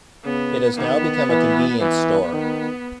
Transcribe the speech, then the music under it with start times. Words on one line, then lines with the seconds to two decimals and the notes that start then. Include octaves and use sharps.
It has now become a convenience store.
0.25 C#3 B3
0.77 D#3 B3
1.29 E3
1.81 E3 B3
2.33 D#3